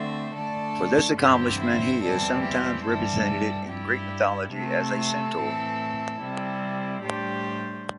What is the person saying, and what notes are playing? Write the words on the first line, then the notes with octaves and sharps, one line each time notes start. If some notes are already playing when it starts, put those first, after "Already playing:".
For this accomplishment, he is sometimes represented in Greek mythology as a centaur.
Already playing: D3 A3 C4 C5 E5
D3 A3 D4 A4 D5
G2 D3 C4 E4 G4 C5
C5 E5
E2 E3 G3 C4 E4 A4 D5
G4 C5
G2 E3 G3 A4
G2 G3 E4 G4
C3 A3 C4 A4
A2 E3 C4
C3 G3 C4 E4
A2 G3 D4 G4 C5